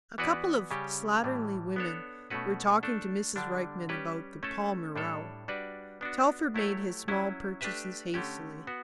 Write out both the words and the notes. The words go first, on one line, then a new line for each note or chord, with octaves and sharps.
A couple of slatternly women were talking to Mrs. Rykman about "the Palmer row." Telford made his small purchases hastily.
E3 B3 F#4 B4 D5
C#3 G3 C#4 G4
A2 E3 G3
B3 D4 A4 C#5
B2 A3 C#4 F#4 B4
A3 D4 A4
D3 G3 D4
G3 C#4 G4 B4
A3 C#4 E4 A4
A2 G3 D4 A4 C#5
G3 D4 F#4 B4 D5
B3 D4 F#4
F#3 A3 E4 G4 C#5
F#3 C#4 E4
A3 D4 G4 B4 E5
D3 A3 C#4 G4
B3 F#4